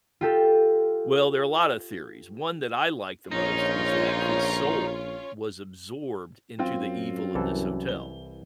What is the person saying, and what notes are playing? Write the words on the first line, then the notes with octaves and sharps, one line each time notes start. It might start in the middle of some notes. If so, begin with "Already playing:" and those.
Well, there are a lot of theories. One that I like the most is that his soul was absorbed into the evil of this hotel,
F4 G4 A4
A#1 C#4 D#4 F4 C#5
F#2 C4 F4
C2 E3 A4
G7